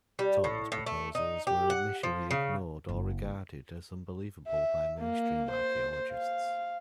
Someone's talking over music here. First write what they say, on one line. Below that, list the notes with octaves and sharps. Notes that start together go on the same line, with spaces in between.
Thom's proposals were initially ignored or regarded as unbelievable by mainstream archaeologists.
G3
A2
A2
A3
D#4
G4
F#5
F3
C#3
F#1
E5
A#3
C5
F5